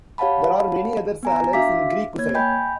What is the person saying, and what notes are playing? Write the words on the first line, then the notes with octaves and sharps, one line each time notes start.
There are many other salads in Greek cuisine.
G4 C#5 F5 F#5 A5 B5
B3 G#5 A#5
D4 F#4 E5 F5 D6 B6
A#3 C#5 G#6
D#5 G5 G#5 B5 G6